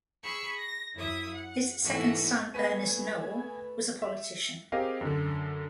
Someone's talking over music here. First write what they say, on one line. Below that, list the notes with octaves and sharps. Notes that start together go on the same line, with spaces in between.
His second son Ernest Noel was a politician.
G#4 B5 C#6 E6
A#6
F#2 E4 E5 D#6
F#5
G#2 B2 E3 A3 F#4
A3 B3 B4 G#5 B6 D#7
E5
C4 G4 G#4 A#4 D#5 F5
F#2 D3